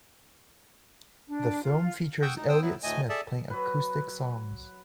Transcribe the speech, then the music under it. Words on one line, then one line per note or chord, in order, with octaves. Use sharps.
The film features Elliott Smith playing acoustic songs.
D4
F4
F#5 G5 C#6 D#6 E6 G6
D2 D#4
B3 C5 G5 D#6 E6
F#3 B3 E4
D2 A2 A3 D#5 G#5
G#4 A4 D5 E5 A5
F#3 B4